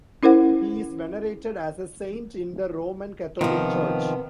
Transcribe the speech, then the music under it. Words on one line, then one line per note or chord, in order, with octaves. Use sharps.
He is venerated as a saint in the Roman Catholic Church.
C#4 E4 A#4 C5 F#5
C3 D#3 F3 B3